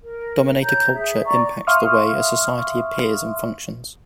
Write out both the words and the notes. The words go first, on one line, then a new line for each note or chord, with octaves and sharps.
Dominator culture impacts the way a society appears and functions.
A#4
C#5 A#5 G6
G#4 E5
D5 A#5 C#6
E5 F5 C6 C#6 D#6 F6